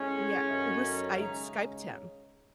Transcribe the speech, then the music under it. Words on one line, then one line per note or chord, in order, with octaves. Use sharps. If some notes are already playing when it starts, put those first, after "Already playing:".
yeah, it was I Skyped him.
Already playing: A2 G#3 C#4
F#2 D#3 F#3 A3
C#3 G#3 D#4